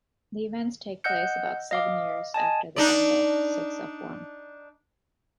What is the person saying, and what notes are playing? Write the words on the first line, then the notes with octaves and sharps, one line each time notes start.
The events take place about seven years after the end of "Six of One".
D#5 F#5 E6 F#6 G6 C#7
D#5 F5 D6
D#5 G#5 A5
D4 D#4 D5